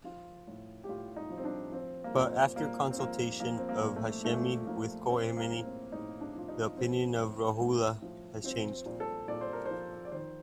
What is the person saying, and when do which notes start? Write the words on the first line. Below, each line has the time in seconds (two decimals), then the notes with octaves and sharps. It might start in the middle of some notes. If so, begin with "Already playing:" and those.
But After consultation of Hashemi with Khomeini, the opinion of Rouhollah has changed.
0.04 F3 F4
0.47 A2
0.84 G4
0.89 A2 F4
1.16 D#4
1.30 F3
1.37 C4
1.45 D4
1.72 F3 C4
2.04 A#3
2.14 A#2 C4
2.56 A#2 A#3
2.90 C4
2.98 F3 A#3
3.40 F3 A#3
3.57 C4
3.69 A#3
3.83 A#2
3.96 A3
4.25 A#2 A3
4.67 F3 A#3
5.08 F3 C4
5.37 A#3
5.51 A2
5.64 C4
5.92 A2 D#4
6.21 D4
6.35 F3 F4
6.48 D#4
6.76 F3 C4
7.19 A2
7.60 A2
8.02 F3
8.44 F3 C4
8.86 A#2
9.00 A4
9.28 A#2 D5
9.41 C5
9.53 A#4
9.65 C5
9.71 F3
10.05 D5
10.12 D#3 C5